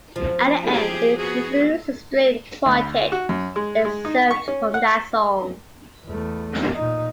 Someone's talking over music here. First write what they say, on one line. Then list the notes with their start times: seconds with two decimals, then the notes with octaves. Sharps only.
At the end, it includes a string quartet excerpt from that song.
0.16 F3
0.69 G4 G#4
1.16 B3 F#4 G#4
2.66 D2
3.12 F#4
3.29 F#2
3.56 G#3
3.85 G#3
4.05 D#4
4.31 C#6
4.48 C#4
4.74 F#5
6.07 E2 A3
6.75 A#2 D#4